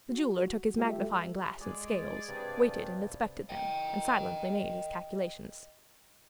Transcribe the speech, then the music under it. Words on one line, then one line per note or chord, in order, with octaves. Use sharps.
The jeweler took his magnifying-glass and scales, weighed and inspected them, and silently made his calculations.
F#4
G#3 F4 G4 A4 E5
G#3 G#4 D5
G2 C3
D#5 G5